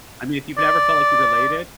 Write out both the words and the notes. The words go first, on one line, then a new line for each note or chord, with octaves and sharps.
I mean, if you've never felt like you related
D5